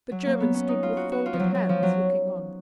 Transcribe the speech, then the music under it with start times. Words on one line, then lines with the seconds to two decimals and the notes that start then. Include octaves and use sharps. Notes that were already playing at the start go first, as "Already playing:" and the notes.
The German stood with folded hands looking on.
0.12 F#3
0.26 A#3
0.40 B3
0.54 C#4
0.68 D#4
0.83 F4
0.97 F#4
1.12 F#4
1.26 F4
1.33 F3
1.40 F#3
1.55 F#3
1.69 F3
1.83 F#3